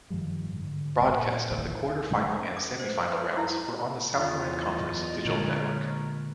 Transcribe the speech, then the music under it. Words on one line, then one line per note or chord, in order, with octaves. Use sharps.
Broadcast of the quarterfinal and semifinal rounds were on the Southland Conference Digital Network.
G2 D#3 F3 G3
G#2 D3
D1 G#2 B3
A#2
F1 A#1 D#2 E3
C#4
D6
C5
C5
B4
E4
E2 F#3 C#4 F4 D#5 C6
A#2 D3 G#3 A#4 B4 C#5